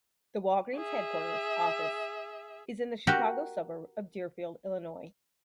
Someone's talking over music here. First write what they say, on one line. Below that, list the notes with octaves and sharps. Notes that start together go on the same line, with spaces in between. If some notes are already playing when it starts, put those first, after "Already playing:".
The Walgreens headquarters office is in the Chicago suburb of Deerfield, Illinois.
G#4 E5
F#4 G4 A#4